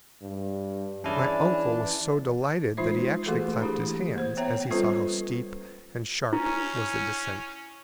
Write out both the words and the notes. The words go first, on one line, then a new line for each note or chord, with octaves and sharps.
My uncle was so delighted that he actually clapped his hands--as he saw how steep and sharp was the descent.
G2
E3 C#4 D4 E4 G#4
E3 G#3 D#4 F4 C5 E5
E3 A3 A#3 F#4 G#4 A4
D4 E4 G4 G#4
A#3 C5
B3 C#5 E5 G5 A#5
G3 C#4 F4 A4 B4 C5
C#4 E4